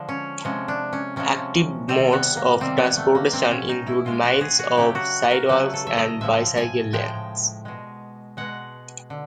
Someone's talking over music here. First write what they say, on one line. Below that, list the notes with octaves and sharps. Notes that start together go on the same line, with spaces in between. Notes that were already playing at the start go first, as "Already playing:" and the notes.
Active modes of transportation include miles of sidewalks and bicycle lanes.
Already playing: D3 F3 G#3
C#4
C3 F3 G#3 C#4
D4
C#4
C3 F3 G#3 C#4
C3 D#3 G3 C4
B3
A#3
C3 D#3 G3 C4
B3
A3
A#3
B2 G#3 C4
C#4
D#4
E4
B2 G#3 F4
F#4
G#4
F#4
C#3 F#3 A3 G4
F#4
A#4
C#3 F#3 A3 B4
A4
E5
D#5
A2 F3 G#3 E5
G#5
A2 F3 G#3 G5
B2 G#3
B2 G#3 F#5
D3